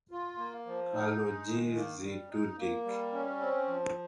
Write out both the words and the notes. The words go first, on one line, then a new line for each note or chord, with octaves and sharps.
Alojzy Dudek.
F4
A#3
F3
D#4
G#3
D#3
A#3
G3
D#4
A#3
G3
C#4
C4
F3